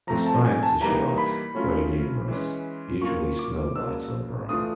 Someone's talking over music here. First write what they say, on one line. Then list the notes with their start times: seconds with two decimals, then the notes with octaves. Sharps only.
The spines are short, very numerous, usually snow white or brown.
0.07 F3 A3 C4 A#5
0.26 A5
0.45 G#5
0.63 A5
0.81 E3 G3 A#3 D#4 A#5
1.18 B5
1.55 F#3 A3 C#4 F4
2.28 E3 G#3 C#4
3.02 F#3 A#3 C#4 F4 C#6
3.39 D6
3.75 C#3 F#3 A#3 D4 E6
4.49 E3 A3 D4 F4 D#6